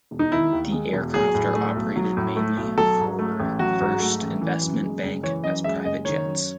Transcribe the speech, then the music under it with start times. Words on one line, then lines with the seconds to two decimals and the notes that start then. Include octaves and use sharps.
The aircraft are operated mainly for First Investment Bank as private jets.
0.11 E1
0.19 D#4
0.32 D#3 E4
0.53 D#2
0.72 G#3
0.93 E1
1.14 F#3 G#4
1.35 A2
1.55 A3
1.75 B1
1.96 F#3
2.17 A2
2.36 A3
2.57 B1
2.78 F#3 A4
2.98 G#2
3.19 A3
3.40 A1
3.59 F#3 F#4
3.80 G#2
4.00 A3
4.21 A1
4.42 E3
4.62 F#2
4.83 G#3
5.03 F#1
5.23 E3 C#5
5.44 F#2 D#5
5.64 G#3 E5
5.85 F#1 D#5
6.05 D#3 C#5
6.26 F#2